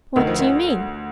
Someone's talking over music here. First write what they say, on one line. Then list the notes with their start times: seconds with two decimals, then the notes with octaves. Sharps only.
What do you mean?
0.16 D2 D#3
0.27 F3
0.39 D#3